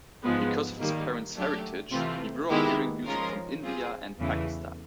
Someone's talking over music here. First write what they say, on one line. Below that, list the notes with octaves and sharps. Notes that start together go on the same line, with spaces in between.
Because of his parents' heritage, he grew up hearing music from India and Pakistan.
G#2 F3 G#3 B3
D#3 G3 A#3
F#3 A3 D4 G4
C3 E3 A3 C4 F4
D#3 G#3 B3 E4 G4
F3 G#3 C#4 F4 A#4
G3 C4 F4 G#4
E2 C#3 E3 A3